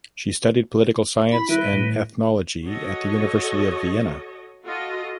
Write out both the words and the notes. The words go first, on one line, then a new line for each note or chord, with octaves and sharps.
She studied political science and ethnology at the University of Vienna.
E4 B5
D#3 G3 E4 B4
A2
F#4 A4 C#5 D#5
F4 F#4 A4 D#5